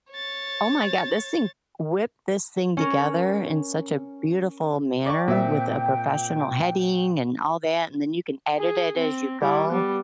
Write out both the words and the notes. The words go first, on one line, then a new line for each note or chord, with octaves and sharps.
Oh my god, this thing whipped this thing together in such a beautiful manner, with a professional heading and all that, and then you can edit it as you go.
C#5 A6
C#4 A#4
D5 G5 C#6
A#2 C4 E5
G#4
C4
G3 E4
G3 B3